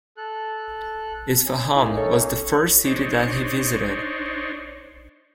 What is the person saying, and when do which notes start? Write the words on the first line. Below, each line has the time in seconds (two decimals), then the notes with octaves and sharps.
Isfahan was the first city that he visited.
0.17 A4 F#6
1.45 C#4
1.76 A#3 C#4 D#4 E4
1.97 A4 C#5
2.43 C#6
2.85 D4 D#4 C5 C#5